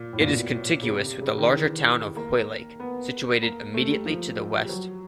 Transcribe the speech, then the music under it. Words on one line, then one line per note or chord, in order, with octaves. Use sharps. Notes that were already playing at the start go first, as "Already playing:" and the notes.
It is contiguous with the larger town of Hoylake, situated immediately to the west.
Already playing: A#2
A2
A#2
B2
C#3
C3
C3
C#3
D#3
E3
A#3
B3
A#3
A3
G3
F3
G3
F#3